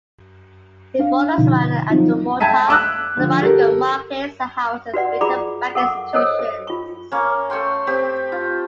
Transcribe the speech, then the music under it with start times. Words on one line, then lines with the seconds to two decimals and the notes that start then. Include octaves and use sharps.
It borders around the idumota and Balogun markets and houses major Banking institutions.
0.99 C#4 D4 F5
1.38 B2 D3 F3 D#4
1.90 F3 F#3 C4 D#4 F4
2.40 E5 G5 A5 G#6 B6 D#7
2.68 D6 E6 F#6
3.17 D3 F3
3.42 G4 A4 A#4
4.94 F#4 B4 D5 F#5
5.21 F4 G#4 D5 A#5 B5 D6
5.75 A4 A#4 F#5 C#6 D6
6.13 A4 A#4 C5 C#5 D#5
6.39 A4
6.67 F4 C#6
7.12 A#3 C#4
7.50 A3 C#5 G5 C6
7.87 C4 G4 G5
8.32 F4